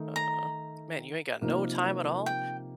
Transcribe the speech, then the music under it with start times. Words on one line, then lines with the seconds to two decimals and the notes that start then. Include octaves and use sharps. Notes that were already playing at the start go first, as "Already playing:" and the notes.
uh, man, you ain't got no time at all?
Already playing: D#3 A3 D#4
0.16 A#5
1.42 C3 F3 A#3 D#4 A#4
2.26 G5